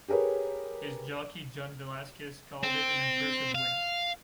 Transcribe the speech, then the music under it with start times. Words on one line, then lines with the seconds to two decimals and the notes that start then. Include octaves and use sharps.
His jockey John Velazquez called it an impressive win.
0.08 G4 G#4 A#4 B4 C#5
2.64 C4
3.55 F5